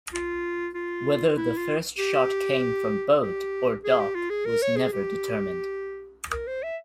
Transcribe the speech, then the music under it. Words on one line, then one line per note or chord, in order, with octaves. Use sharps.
Whether the first shot came from boat or dock was never determined.
F4
F4
E4
F4
G4
G4
G#4
G4
F4
G#4
A#4
C#5
G#4
G4
A#4
C5
E5